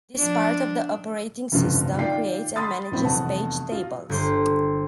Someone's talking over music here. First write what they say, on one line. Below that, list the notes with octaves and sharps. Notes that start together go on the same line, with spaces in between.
This part of the operating system creates and manages page tables.
F3 D4
F1 C#2 G2 D3 F3
D#3 F4 D5 G5 C7
B5 C6 D#6 A6
A#1 A2 F#3 C4 B5
F1 E2 B2 F#5 A5
F4 F#4
G1 C5